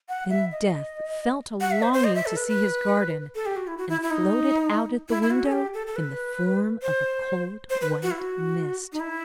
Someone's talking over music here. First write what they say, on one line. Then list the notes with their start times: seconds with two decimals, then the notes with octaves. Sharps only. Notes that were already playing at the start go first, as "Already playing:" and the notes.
Then Death felt a longing to see his garden, and floated out at the window in the form of a cold, white mist.
0.09 F#5
0.30 E5
0.52 D#5
1.61 F#5
1.71 E5
1.83 C5
1.93 C5
2.04 D#5
2.15 E5
2.26 A4
2.36 B4
2.48 B4
3.35 A4
3.46 G4
3.56 F#4
3.67 E4
3.78 F#4
3.89 E4
4.03 E4
4.11 D#4
5.09 E4
5.22 E4
5.31 F#4
5.46 A4
5.52 G4
5.74 A4
5.87 A4
5.96 B4
6.82 C5
7.70 C5
7.81 B4
8.03 F#4
8.11 E4
8.19 F#4
8.93 D#4
9.00 E4